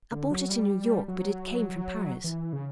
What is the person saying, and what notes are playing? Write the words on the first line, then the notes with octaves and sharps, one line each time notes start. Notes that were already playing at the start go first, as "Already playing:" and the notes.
I bought it in New York, but it came from Paris.
D3
F#3
G3
F#3
E3
C#3